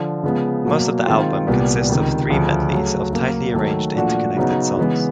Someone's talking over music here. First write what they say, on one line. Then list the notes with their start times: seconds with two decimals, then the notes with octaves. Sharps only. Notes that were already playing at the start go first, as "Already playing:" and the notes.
Most of the album consists of three medleys of tightly arranged interconnected songs.
Already playing: D3 F3
0.24 C#3 F3 G#3 B3
0.65 B2 F#3 A#3
1.06 D#3 G#3 C4 F4
1.47 C2 A#2 G3 B3
1.89 C#2 C3 D#3
2.30 D2 C#3 F3
2.71 C#3 F#3 A3
3.13 C#3 F#3 A#3
3.54 D#3 F#3 A3
3.95 A#2 F3 A3 D4 F#4
4.37 C#3 F#3 B3 D#4 F#4
4.77 C#3 E3 G#3 B3